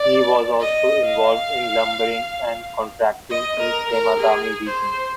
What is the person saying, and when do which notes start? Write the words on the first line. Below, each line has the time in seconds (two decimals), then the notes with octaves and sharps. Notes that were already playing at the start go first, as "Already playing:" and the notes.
He was also involved in lumbering and contracting in the Temagami region.
Already playing: D5
0.59 D#5
1.04 F5
3.30 D#5
3.60 A#4
3.91 A#4
4.20 G#4
4.66 C5